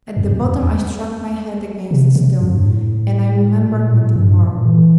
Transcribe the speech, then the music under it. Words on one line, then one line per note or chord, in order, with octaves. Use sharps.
At the bottom I struck my head against a stone, and I remembered nothing more.
F2
F2
F2
E2
C3
C3
F2
G2
A2
A#2
A2
G2
A#2
E3